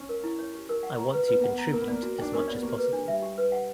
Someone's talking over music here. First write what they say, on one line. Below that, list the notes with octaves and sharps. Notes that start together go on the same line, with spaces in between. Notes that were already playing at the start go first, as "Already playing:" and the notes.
I want to contribute as much as possible.
Already playing: C#4
A#4
E4
C#5
G4
A#4
F#5
A#5
B4
B3 B4
A#3 F#5
B3
A#5
A#3 A#4
B3
A#3 D5
F#4
D4 G5
C#4 A#4
B3 D5
A#3 G4
B4
D4
G3 E5
G4
B4
F#5